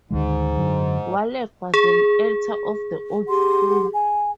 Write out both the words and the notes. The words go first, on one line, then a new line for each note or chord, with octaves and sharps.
Wallack was an actor of the old school.
D2 G#2 D#3 G#3
F#2 D3 F#3
G#4
G4 F#5 C6
G#5